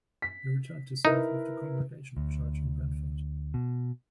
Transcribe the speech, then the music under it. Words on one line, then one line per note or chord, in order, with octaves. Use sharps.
He returned to serve with the Congregational Church in Brantford.
B6
D#4 E4 A#4 B4
D2
B2